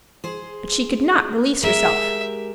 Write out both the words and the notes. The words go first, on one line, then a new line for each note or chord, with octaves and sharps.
But she could not release herself.
G#4 C5
G#3 G4 A#4 E5